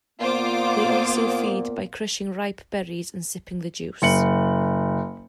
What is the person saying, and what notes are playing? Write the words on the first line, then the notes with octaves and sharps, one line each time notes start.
They also feed by crushing ripe berries and sipping the juice.
A#2 A#3 B3 F4 C5 D6
F#1 C#7 F#7